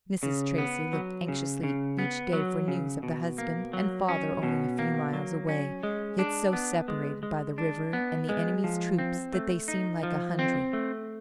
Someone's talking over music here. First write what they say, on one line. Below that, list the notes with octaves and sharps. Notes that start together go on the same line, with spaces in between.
Mrs. Tracy looked anxiously each day for news of the husband and father only a few miles away, yet so separated by the river and the enemy's troops that they seemed like a hundred.
C#3
B3
F#3
C#3
C#3
B3
F#3
C#3
B2
A#3
F#3
C#4
B2
A#3
F#3
C#4
G#3
D4
B3
G#3
G#3
D4
B3
G#3
F3
C4
A3
D#4
F3
C4
A3